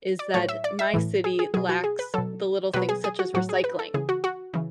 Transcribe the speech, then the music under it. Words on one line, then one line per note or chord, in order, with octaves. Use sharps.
is that my city lacks the little things such as recycling,
D5
A2 F#3 C#5
E5
D5
E5
A2 E3
G#4
G#4
B2 F#3 G#4
F#4
G#4
B4
B2 F#3 A4
B2 F#3 B4
G#4
G#4
F#4
A2 F#3 F#4
G#4
B4
A4
C#3 E3 G#4
F#4
F#4
C#3 E3